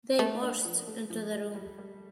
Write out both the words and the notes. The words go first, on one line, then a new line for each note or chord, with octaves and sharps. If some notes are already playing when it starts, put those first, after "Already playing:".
They burst into the room.
A3 A#3
D4
F3
A3
F3
A3
G3
G3